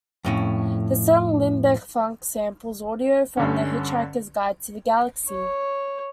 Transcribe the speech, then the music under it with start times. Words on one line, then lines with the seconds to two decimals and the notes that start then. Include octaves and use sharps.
The song "Limbic Funk" samples audio from The Hitchhiker's Guide to the Galaxy.
0.25 F2 A2 C#4
3.37 G2 D3 C#4
5.29 C#5